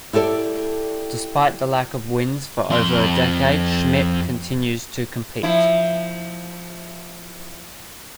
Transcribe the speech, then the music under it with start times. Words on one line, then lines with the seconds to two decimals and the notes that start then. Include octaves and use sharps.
Despite the lack of wins for over a decade Schmitt continues to compete.
0.13 E4 G4 A4 B4 D5
2.70 F2 C6
5.43 F3 E4